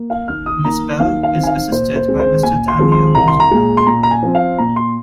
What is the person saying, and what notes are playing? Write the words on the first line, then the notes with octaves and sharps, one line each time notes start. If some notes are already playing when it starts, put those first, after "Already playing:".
Ms. Bell is assisted by Mr. Daniel Modenbach.
Already playing: A#3
F5
D#2 F6
D#6
D#3 A#3 A#5
D#2 F5
F5
D#3 C4
G#5
F5
A#2 C5
C5
G#3 C4
C5
A#2 G#5
C6
F3 G#3 C4
C6
C2 A#5
C6
A#5
A#2 G#3
C6
A#2 A#5
A#5
G#5
F3 C4
F5
A#2 A#5
C6